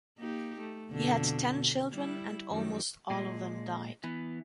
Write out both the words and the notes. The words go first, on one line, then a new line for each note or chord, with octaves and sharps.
He had ten children and almost all of them died.
A#3 D#4 G4
A3
F2 B2 D3
B2
G3 E4
F#2 D#3 G3
A#2 G#3
E3 B3